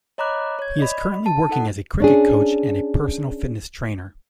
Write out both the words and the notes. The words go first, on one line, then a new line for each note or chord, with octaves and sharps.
He is currently working as a cricket coach and a personal fitness trainer.
C#5 D#5 A#5 B5 D6 F#6
C#5 G#6
D5 D#5 B5
A5
D#4 A4 F#5
C#4 D4 G#4